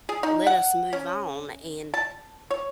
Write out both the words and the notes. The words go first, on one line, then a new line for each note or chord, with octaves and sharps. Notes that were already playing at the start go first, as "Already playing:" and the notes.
let us move on, and
G#4
D#4
F#5
C#4
A5
C#5